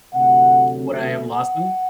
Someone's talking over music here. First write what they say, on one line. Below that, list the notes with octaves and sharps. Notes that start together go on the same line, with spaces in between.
Would I have lost them?
D2 C3 F#3 A3 F#5
E5
F#5